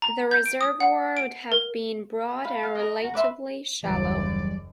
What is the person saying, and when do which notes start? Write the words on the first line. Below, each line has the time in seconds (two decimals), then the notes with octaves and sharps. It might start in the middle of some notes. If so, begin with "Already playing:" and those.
The reservoir would have been broad and relatively shallow.
0.02 A#5
0.31 G6
0.46 D7
0.61 D#6
0.80 F#5
1.17 D7
1.52 A#4
2.44 F5 B5
2.63 F5
2.75 A#4 D#5
3.02 F#4 A#5
3.14 B4 D5 E5 C6
3.83 F#1 D#2 E3 F#3 G3 D5